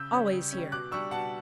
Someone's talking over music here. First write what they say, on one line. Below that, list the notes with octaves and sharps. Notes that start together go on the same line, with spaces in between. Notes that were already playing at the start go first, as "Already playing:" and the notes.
"Always here!"
Already playing: C#3 E6 G6
G3 C#4
C#3
G3 C#4
B2 D6 F#6
G3 D4 C#6 E6
B2 F#5 A5